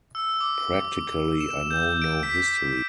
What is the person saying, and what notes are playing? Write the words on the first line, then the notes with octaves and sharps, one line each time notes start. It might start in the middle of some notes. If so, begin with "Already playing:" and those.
Practically I know no history.
E6
D6
E7
G6
D7
B6